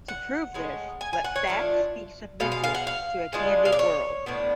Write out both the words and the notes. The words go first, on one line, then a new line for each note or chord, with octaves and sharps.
To prove this, let Facts be submitted to a candid world.
F#5
A2 G#3 C#4
G#5
G#5
F#5
C#5
F3 A3 D4 F4
B2 G#3 F5
F5
F5
F#5
F5
C#3 G#3 D4 F4
F5
D5
C#5
A2 F3 B3 D4